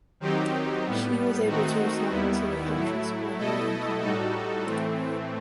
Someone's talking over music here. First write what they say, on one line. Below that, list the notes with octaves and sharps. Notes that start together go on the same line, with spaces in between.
She was able to return to Patras by her own power.
D#3 F#3 C4 D#4 G4
A2 G3 B3
D#3 A3 C4 D#4 F#4
D#2 D#3 G3 B3 E4
A2 F#3 A3 E4
B2 A3 E4 A4 D#5
A2 G3 D#4 F#4 A4
A2 E3 A3 C4